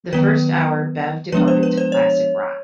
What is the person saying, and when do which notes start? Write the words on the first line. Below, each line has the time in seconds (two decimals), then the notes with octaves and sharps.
The first hour, Bev devoted to classic rock.
0.13 D#3 F#3 B3 B4
1.32 F3 G#3 B3 D4 B4
1.48 C5
1.63 B4
1.77 C5
1.92 C#5